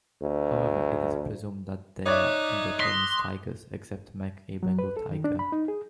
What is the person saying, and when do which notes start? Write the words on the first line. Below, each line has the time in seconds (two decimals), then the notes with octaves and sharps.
However, it is presumed that they are Indochinese tigers, except Mek, a Bengal tiger.
0.21 D2
2.06 D#4 C#5 D5 E5 D6 D#6 F#6
2.80 C6 D#6 A#6 B6
4.63 F#3
4.79 B4
4.97 A4
5.10 D#3
5.24 D4
5.39 B5
5.52 D#4
5.68 G#4